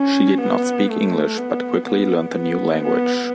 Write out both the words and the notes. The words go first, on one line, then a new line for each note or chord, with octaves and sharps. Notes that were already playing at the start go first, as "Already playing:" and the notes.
She did not speak English but quickly learned the new language.
Already playing: C#4
B3
A3
B3
B3
B3
B3